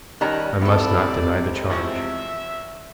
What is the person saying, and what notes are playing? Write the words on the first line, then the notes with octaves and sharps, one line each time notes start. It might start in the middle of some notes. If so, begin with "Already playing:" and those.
"I must not deny the charge."
D#3 G3 C#4 A5 A#5 F#6
C3 G#3 B3 C4 E4 A4 D5
E2 F3 E5 C#6